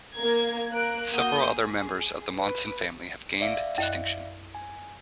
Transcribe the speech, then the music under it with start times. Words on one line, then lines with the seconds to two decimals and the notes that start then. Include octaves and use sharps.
Several other members of the Monson family have gained distinction.
0.15 A#3 A#4 G#6
0.70 A#3 A#4 F#6 D7
1.14 A#3 F#4 D#6 G6
1.44 G#4
2.37 B4
3.41 D5 E5 F5
3.78 F#2 D#5 F#6
4.55 G#5